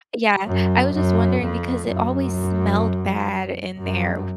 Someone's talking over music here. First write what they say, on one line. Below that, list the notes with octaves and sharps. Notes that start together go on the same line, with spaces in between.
Yeah. I was just wondering because it always smelled bad in there.
F#2
F#2
F2
F#2
F#2